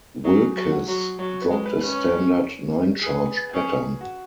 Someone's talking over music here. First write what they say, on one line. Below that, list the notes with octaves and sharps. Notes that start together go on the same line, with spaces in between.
"Wilkes" dropped a standard nine-charge pattern.
F#3 G#4
F#3
F#5
F#3
F#3 C#5
B4
G#3
B4
C#4 B4
C#5
G#4
B4
C#4 G#4
F#4